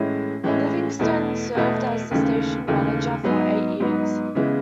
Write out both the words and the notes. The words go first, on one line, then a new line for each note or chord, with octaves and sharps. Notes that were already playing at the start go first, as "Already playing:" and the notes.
Livingston served as the station manager for eight years.
Already playing: A2 E3 G#3 C#4 E4
A2 E3 G#3 C#4 E4
E2 B2 A3 E4
E2 B2 A3 E4
D#2 C#3 E3 A3
D#2 C#3 E3 A3
G#2 F#3 B3 D#4
G#2 F#3 B3 D#4
C#3 E3 G#3 B3 E4